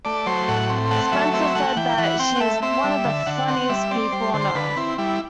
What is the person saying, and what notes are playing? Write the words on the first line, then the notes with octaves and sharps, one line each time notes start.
Spencer said that she is "one of the funniest people on Earth".
A3 D5
F#3 C5
A2 F#5
C4
A3 F#5
F#3 E5
C4 E5
A3 F#5
E3 G5
E3 F#5
C4 G5
F#5
A3 E5
C4 E5
G3
D3
D3 F#5
C4 F#5
G3 E5
C4 D5
G3 C5
D3 C5
D3 B4
C4 E4
G3 E4